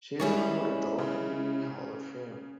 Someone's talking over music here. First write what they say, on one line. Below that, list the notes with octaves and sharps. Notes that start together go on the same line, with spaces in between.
She is a member of the Rockabilly Hall of Fame.
G3 G#3 C#4 E4 G#4 C#5
C#3